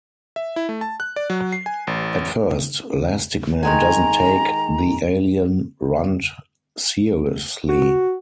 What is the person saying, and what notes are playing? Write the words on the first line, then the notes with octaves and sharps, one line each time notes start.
At first, Lastikman doesn't take the alien runt seriously.
E5
E4
A3
A5
F#6
D5
F#3
C7
G#5
A1
D#3 G#3 G#5 A#5
F#4